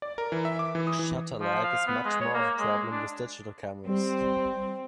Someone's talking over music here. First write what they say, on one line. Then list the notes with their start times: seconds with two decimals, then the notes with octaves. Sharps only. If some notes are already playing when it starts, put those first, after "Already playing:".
Shutter lag is much more of a problem with digital cameras.
0.02 D5
0.18 A#4
0.32 E3
0.45 E5
0.59 D6
0.75 E3
0.87 D#6
0.99 E3
1.41 F3
1.64 F5
1.87 B3
2.05 G#3
2.21 C#5
2.34 A#3
2.59 G#3
2.92 D4
3.85 G3 C4